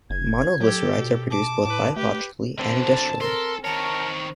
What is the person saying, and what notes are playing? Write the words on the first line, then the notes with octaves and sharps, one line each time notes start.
Monoglycerides are produced both biologically and industrially.
F#1 G#6
F#3 G4 A4
B2
A5 D6
A2 B4 D6
A3 G4 B4
F#2 D3 C4 A5
A4 A#4 C6
D#3 A#4 C#5 A5